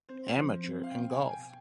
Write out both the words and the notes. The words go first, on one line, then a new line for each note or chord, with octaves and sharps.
Amateur in golf.
C4 C5
F3
C4
F5
B2 G5
G#5
B2
G#5
G5